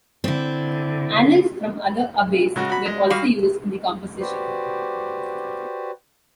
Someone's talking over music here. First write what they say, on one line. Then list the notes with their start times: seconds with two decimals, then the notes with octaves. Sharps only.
Annals from other abbeys were also used in the composition.
0.24 D3 C4 E4
2.56 C#3 G#3 F#4
2.69 F#4 B5
2.85 G#3
3.10 G3 F#4 F5
4.20 F#4 G4 B4 C5 D5